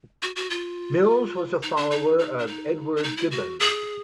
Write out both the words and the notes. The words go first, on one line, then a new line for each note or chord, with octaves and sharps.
Mills was a follower of Edward Gibbon.
F#4
F#4
F4
D#4
D4
D#4
D#4
D4
D#4
D4
D#4
E4
F#4
G#4